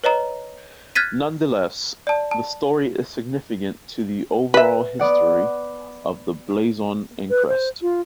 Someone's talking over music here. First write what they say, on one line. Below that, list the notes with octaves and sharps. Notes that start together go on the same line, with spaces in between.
Nonetheless, the story is significant to the over-all history of the blazon and crest.
B4 C#5 D#5 A#5
F6 F#6 G#6 A6 B6 D#7
D5 A5
A5
B4 E5
B3 D5 F#5
B4
C5
F4